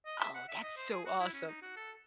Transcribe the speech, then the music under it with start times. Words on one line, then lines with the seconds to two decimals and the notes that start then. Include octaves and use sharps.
Oh, that's so awesome.
0.06 D#5
0.20 E5
0.34 F#5
0.48 E5
0.63 D#5
0.77 C5
0.91 G#4
1.05 F#4
1.20 E4
1.34 C#4
1.48 D#4
1.62 F#4
1.77 A4